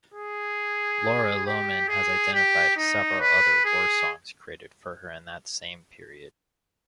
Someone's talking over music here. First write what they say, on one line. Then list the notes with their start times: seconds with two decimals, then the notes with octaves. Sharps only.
Laura Lohman has identified several other warsongs created for her in that same period.
0.14 G#4
1.46 G4
1.89 G#4
2.34 G4
2.77 D#4
3.21 B4
3.65 G#4